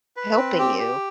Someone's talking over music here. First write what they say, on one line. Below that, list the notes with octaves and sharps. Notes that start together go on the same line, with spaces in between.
helping you.
B4
C4
G4
G4